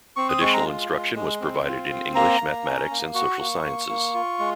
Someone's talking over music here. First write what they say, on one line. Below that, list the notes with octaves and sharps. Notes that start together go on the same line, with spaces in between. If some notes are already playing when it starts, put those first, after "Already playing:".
Additional instruction was provided in English, mathematics, and social sciences.
C4 C#6
D#6
G#3 C#6
A#5
F4
G#3
G#3
C4
F4
C4
A#3 A#5
A#3
C#4
A#3
F#4 C#6
A#3
A#3
A#3
F4
G#3